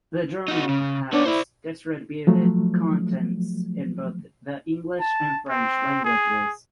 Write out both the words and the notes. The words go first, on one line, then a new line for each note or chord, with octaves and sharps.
The journal has distributed contents in both the English and French languages.
D#4 F#4
C#3
B3 D4 C#5
E4 C5 D5
F3 F#3 A3
A5
C4
G#4